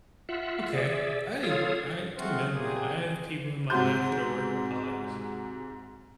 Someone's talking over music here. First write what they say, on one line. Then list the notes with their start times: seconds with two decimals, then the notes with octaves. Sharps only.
Okay, I I commend that. I have people in my life that are workaholics,
0.29 F4 E5 F#5
0.72 G#4 D5 E5
1.43 F4 A4 C#5 F5 D#6
2.18 G#3 A3 C4 F4 F#4
2.51 A#3 C4 G4 G#4
3.70 G#2 C3 F#4 C6 G6